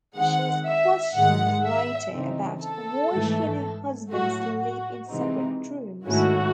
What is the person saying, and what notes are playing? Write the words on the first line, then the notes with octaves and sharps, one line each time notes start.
She is questioned later about why she and her husband sleep in separate rooms.
D#3 G#3 C4 F#5
E5
G#2 D#3 G#3 F#5
E5
C#3 E3 C4 D#4
A4
G#2 E3 A3
A2 F#3 A3 F#4
F#4
C3 E3 G#3 C4 D#4
G#2 D#3 A3 C#4 E4 F#4